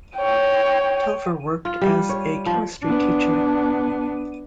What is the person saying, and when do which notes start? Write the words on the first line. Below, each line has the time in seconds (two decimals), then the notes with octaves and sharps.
Telfer worked as a chemistry teacher.
0.16 C#5 G5
1.65 F4
1.81 G3
2.09 C#5
2.46 F3
2.84 B3 D4